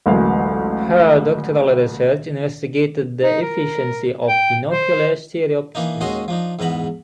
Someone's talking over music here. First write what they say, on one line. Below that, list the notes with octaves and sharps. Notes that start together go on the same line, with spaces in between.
Her doctoral research investigated the efficiency of binocular stereopsis.
A1 D2 F#3 G#3 A#3 F5
D#4
A#4
G5
C5
E3 A#3 D4 D#4
D#2 G#3 C#4 F#4 D#5 C6
F3 D4 D#4
E2 G#2 B3 A#5 B5